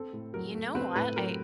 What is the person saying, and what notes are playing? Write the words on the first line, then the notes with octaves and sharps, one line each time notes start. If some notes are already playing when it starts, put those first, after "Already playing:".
You know what? I
Already playing: C4 A4
A2
F#3 A#4
A3
C4 B4
A2 B4
F#3 A#4